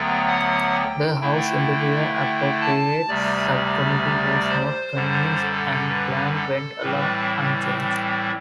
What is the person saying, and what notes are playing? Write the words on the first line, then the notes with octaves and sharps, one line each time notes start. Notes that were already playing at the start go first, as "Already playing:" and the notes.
The House Interior Appropriates Subcommittee was not convinced, and the plan went along unchanged.
Already playing: D2 D3 F#3 B3 G5
F#5
G5
D3 A3 E4 G5
G5
A5
D2 C3 G3 D5
C5
F#2 D3 G3
A4
B4
A4
A2 E3 G3 C4 B4